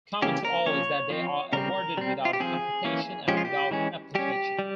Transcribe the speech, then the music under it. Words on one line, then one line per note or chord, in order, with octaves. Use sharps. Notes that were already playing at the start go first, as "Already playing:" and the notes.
Common to all is that they are awarded without competition and without application.
C#3 E3 A#3 C#4 G4
A#4
F3 A#3 C#4 C#5
F3 C4
C#3 G3 C4 A#4
G3 C4
F4
G4
F3 C4 G#4
E3 A#3 C#4
F3 G#3 C#4 G4
F4
G4
E3 G#3 C#4
G3 C#4 G4
G3